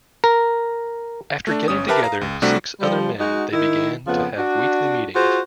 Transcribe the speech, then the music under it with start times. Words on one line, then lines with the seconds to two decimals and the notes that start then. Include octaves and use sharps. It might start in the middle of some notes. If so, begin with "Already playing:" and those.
After getting together six other men they began to have weekly meetings.
0.24 A#4
1.47 A3 D4
1.68 G1 C#4 D#6
1.88 G4 A#4 B4 E5 A5 D6
2.03 F5 A#5
2.21 C#2
2.42 C3 G3 A3 D4 F#4
2.80 F3 G3
3.20 G#3 D#4 F#4
3.53 D#3 E4
4.07 F2 C#3 F3 B3
4.38 D4 F#4
5.15 F4 F#4 G#4 C5